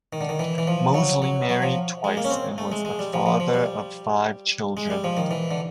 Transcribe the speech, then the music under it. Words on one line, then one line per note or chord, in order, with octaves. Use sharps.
Mosley married twice and was the father of five children.
D#3
D3
D#3
E3
E3
F3
F#3
F#3
F#3
F3
G#3
A#3
C#4
C4
A3
G#3
G#3
G3
F3
F3
F3
G3
G#3
G3
F3
D#3
E3
D3